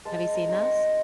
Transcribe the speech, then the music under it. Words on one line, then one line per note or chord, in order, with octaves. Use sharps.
Have you seen those?
G#3 A5
A#5
C4 D#4
C#6